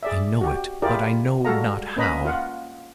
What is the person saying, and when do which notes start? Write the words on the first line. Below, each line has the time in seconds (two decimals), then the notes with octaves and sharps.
I know it, but I know not how.
0.03 G#4 D5 E5
0.41 F#4 G4
0.82 E4 F4 G4 G#4 A#4 D5
1.45 G3 G#3 F#4 A4 F5 A#5
1.96 A#3 C#4 B4 D#5 A#5 B5
2.25 F4 F5 F#5